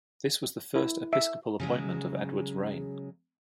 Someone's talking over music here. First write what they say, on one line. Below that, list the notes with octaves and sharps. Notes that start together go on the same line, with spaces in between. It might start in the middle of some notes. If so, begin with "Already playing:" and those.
This was the first episcopal appointment of Edward's reign.
E4
E5
C#3 F#3 G#3